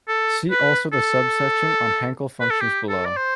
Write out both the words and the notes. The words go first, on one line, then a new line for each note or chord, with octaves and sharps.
See also the subsection on Hankel functions below.
A4
B4
A4
B4
A4
G4
A4
D5
C5